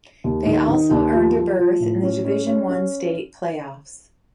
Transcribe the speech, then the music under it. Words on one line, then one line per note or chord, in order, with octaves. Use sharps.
They also earned a berth in the Division One State playoffs.
D#2
D#3
D#3
D#2
F3
F3
F3
A2
C#4
C#4
C#4
C#4